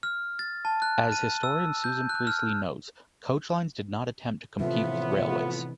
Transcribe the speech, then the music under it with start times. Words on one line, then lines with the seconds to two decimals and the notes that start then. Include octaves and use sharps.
As Historian Susan Priestley notes, Coach lines did not attempt to compete with... railways.
0.03 F6
0.39 A6
0.65 A5
0.82 F#6
1.12 D#7
1.43 E6
1.84 G6
2.09 F#6
2.27 F6
4.60 A2 C3 E3 F3 B3 F4 E5